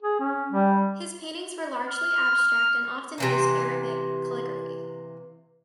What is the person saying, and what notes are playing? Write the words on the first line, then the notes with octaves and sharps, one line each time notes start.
His paintings were largely abstract and often used Arabic calligraphy.
G#4
C#4
G3
F6
C3 E3 A#3